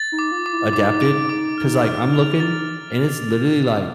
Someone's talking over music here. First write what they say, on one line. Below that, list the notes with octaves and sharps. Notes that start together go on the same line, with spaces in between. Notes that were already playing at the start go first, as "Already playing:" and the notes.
adapted 'cause, like, I'm looking and it's literally, like
Already playing: A6
D#4
D6
F4
D6
E4
D#4 D6
D7
D6
F6
F6
F7
D#4 A6